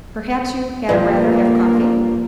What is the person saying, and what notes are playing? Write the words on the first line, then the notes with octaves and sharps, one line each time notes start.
"Perhaps you had rather have coffee?"
G2 F3 G3 A#3